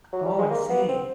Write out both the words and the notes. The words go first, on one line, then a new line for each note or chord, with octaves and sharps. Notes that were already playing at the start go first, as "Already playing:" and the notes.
Oh, I see.
F#3
G3
G#3
A#3
B3
C4